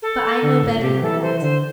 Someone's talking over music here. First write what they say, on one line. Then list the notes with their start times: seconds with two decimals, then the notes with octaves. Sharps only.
But I know better nor that.
0.02 A4
0.42 D3
0.63 A2
0.72 A#2
0.82 C3 G4
1.02 E3 A4
1.22 E3 C5
1.42 D3 C5